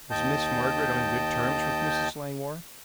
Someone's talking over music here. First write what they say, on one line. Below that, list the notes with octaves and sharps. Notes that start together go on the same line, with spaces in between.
"Was Miss Margaret on good terms with Mrs. Langmore?"
D#2 D#5 G5 A5 G6